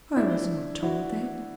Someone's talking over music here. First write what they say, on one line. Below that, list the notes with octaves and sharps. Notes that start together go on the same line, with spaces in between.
"I was not told that."
D4 E4
E4 F#4